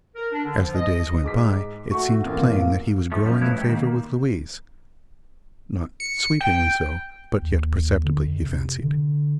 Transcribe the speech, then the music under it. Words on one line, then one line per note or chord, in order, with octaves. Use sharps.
As the days went by it seemed plain that he was growing in favor with Louise,--not sweepingly so, but yet perceptibly, he fancied.
A#4
D4
D3
F3
D#5
G#2 D6 B6
A3 F#4 C#6
A1 F2 A#3 F5
F3 A3
F#2 F3
A3 D#4 E4 B4 C#5
G#3 A3 G4
D#3 A#3
C#7
G5
D#2
D3
F2
C3
D3